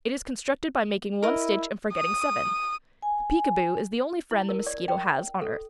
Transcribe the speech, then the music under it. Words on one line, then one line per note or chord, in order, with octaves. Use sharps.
It is constructed by making one stitch and forgetting seven. The Peekaboo is the only friend the mosquito has on earth.
E4 A#4 D#5
D#6
G#5
E4
A#4
D5
G5
A4